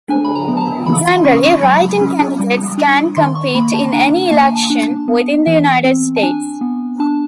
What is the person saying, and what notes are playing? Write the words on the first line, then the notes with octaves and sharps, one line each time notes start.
Generally, write-in candidates can compete in any election within the United States.
D4 G#5
B5
A#5
B3
A5
A#5
E3 B5
C6
C#4 C#6
C#6
F#3 B5
C#4
G3
D4
D#3 C6
C#6
A#3 B5
A5
D4 A#5
A#3 A5
G#5
A5
D4
B3
E3
C4
A5
D4 G#5
B3
D4 A5